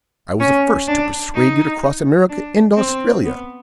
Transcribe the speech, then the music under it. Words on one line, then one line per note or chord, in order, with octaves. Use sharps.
I was the first to persuade you to cross America and Australia.
C#4
D4
D#4
D4
C4
B3